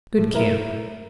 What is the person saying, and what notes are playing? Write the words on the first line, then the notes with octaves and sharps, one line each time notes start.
Good camp.
A2 A3
E4 A#4 E5
A3